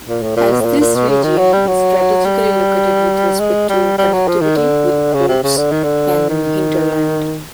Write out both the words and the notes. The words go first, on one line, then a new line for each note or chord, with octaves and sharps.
As this region is strategically located with respect to connectivity with ports and hinterland.
A#2
A2
A#2
B2
A2
A#2
A#2
B2
C#3
D#3
F#3
G3
F#3
G3
G#3
G3
G3
F#3
F3
D#3
D3
C#3
C3
C#3
D3
D#3
D3
D#3